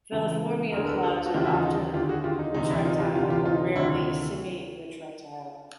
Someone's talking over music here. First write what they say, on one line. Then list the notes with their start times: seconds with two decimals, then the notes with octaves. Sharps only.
Feliformia claws are often retractile, or rarely, semiretractile.
0.12 C#2 C#3 E3
0.72 D2 D3 G#4 A#4
0.84 A#4
0.88 A4 B4
1.03 G4 A4
1.26 F#4
1.34 D#2 C#3 E3 F4 G4
1.43 E4 F#4
1.54 D#4 F4
1.94 D#2 D3 F4 G4
2.09 F#4 G#4
2.24 F4 G4
2.39 D#4
2.54 D2 C3 E3 D#4
2.70 D4 E4
2.85 D#4 F4
3.00 F4 G4
3.15 D2 C3 E3 F4 G4
3.30 F4 G4
3.45 D#4 F4
3.76 D2 C3 D#3 D4 E4